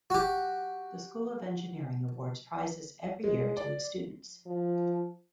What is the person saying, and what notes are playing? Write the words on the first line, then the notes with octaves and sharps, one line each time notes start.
The School of Engineering awards prizes every year to its students.
F#4 G4
G#3
D5
F3